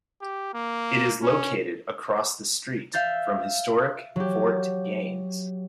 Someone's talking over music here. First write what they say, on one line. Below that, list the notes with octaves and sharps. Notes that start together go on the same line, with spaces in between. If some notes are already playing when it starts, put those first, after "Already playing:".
It is located across the street from historic Fort Gaines.
G4
A#3
C#4
E5 F5 G6 A6
F#3 G4